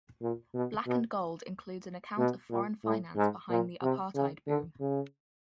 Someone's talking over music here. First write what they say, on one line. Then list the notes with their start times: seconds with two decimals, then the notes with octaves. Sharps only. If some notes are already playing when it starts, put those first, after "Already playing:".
Black and Gold includes an account of foreign finance behind the Apartheid Boom.
0.21 A#2
0.54 B2
0.87 B2
2.18 B2
2.51 A#2
2.84 A2
3.16 G#2
3.50 A#2
3.82 C3
4.15 C#3
4.47 D3
4.80 C#3